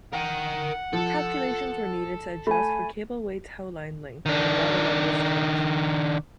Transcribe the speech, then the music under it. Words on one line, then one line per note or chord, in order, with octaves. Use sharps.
Calculations were needed to adjust for cableway towline length when the water levels changed.
A#4 F#5 G5
F3 A4
A3 G#5 B5
D#3 D4